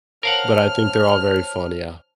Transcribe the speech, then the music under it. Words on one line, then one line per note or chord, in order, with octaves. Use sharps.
but I think they're all very fun, yeah.
A#4 C5 C#5 F5 F#5 A5 F6